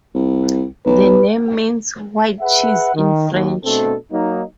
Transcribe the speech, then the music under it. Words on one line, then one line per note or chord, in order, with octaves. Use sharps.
The name means "white cheese" in French.
C2
B1 B4
G#4 B4 E5 F#5
D#3
D#2
B2 A3 C4 D4 A4
F#3 A#3 D#4